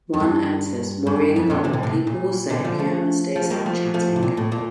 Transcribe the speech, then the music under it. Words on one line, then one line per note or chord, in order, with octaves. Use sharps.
Juan enters, worrying about what people will say if Yerma stays out chatting.
F2
G2
G2
F2
A#2 D3
C3 E3
A#2 D3
A2 C3
A#2
A#2 D3
D3 F3
F3 A3
F3 A3
G3 A#3
F3 A3
F3 A3
C3
A#2
A2
A#2